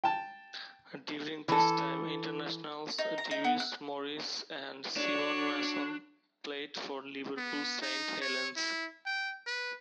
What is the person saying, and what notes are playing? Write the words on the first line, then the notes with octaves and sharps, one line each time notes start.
During this time internationals Dewi Morris and Simon Mason played for Liverpool Saint Helens.
G5 A5
E3 A4
D#4
A#5
D#4
B3
F#6
D4 F#4 C#5
B3
D#4
C#5
E4
G5
B4